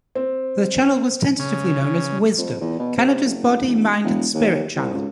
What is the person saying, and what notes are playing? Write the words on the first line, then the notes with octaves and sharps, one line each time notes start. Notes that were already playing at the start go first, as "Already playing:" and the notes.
The channel was tentatively known as Wisdom: Canada's Body, Mind and Spirit Channel.
C4
C#3
F2
E2
B2
C3
F#1
E1
E1
D#2
C2
C#2